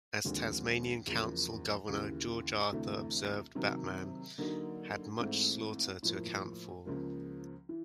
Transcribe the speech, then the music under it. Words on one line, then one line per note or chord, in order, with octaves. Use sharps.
As Tasmanian Colonial Governor, George Arthur, observed, Batman "...had much slaughter to account for".
D#2 D3 F3 G#3 C4
E2 C#3 F3 A#3
D#2 C#3 E3
D2 C3 E3 A3
C3 D#3 F#3
D3 F#3 A#3 D#4
G#2 E3 A3 C4 E4
A2 F3 A#3
C#2 C#3 F3 A#3
E3